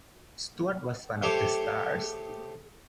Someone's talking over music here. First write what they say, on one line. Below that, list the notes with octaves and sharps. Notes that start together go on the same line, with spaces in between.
Stuart was one of the stars.
A3 G4 C5 C#5